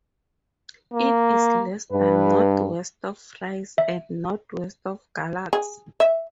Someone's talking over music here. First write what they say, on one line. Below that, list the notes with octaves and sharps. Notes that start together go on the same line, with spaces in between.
It is less than northwest of Fries and northwest of Galax.
A#3
G2 B4
E5
G#4
E5